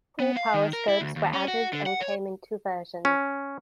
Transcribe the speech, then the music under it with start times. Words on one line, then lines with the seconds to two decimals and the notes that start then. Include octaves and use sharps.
Four-power scopes were added, and came in two versions.
0.20 B3
0.37 F5
0.54 D#3
0.73 A#4
0.88 E4
1.01 D2
1.16 D#2
1.33 C#4
1.48 F#4
1.73 D3
1.86 F#5
2.01 C#5
3.05 C#4